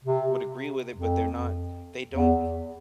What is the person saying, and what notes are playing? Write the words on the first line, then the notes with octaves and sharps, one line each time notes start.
would agree with it, but they're not they don't
C3
F2
E2